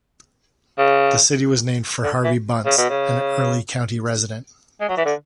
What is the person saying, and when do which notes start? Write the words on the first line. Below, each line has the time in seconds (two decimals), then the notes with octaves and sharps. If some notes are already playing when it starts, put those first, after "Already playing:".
The city was named for Harvey Bunce, an early county resident.
0.78 C#3
2.03 D3
2.24 E3
2.66 C#3
2.78 B2
2.90 C#3
4.81 G#3
4.89 F#3
4.97 E3
5.05 D3